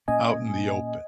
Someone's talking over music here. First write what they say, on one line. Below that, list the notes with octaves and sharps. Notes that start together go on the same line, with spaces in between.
out in the open,
A#2 A#3 C#4 D#5 G#5